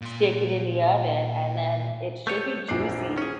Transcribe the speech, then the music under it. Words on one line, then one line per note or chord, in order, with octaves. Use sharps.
stick it in the oven and then it should be juicy
A#2 C6
A3 B3 C#5 G6
A#1 E2 D4 C7
C#4 G#4